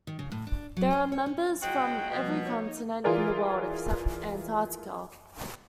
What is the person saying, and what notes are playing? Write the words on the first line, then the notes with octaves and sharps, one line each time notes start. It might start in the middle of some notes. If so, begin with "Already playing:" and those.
There are members from every continent in the world, except Antarctica.
D#3
C#3
A2
D4
F#3
C5
C#5
C#4
F#3 G#3 F#4 G5
B2 F3 G3 A#3
D#4 C#5
E3 F4 G#4 A#4 D5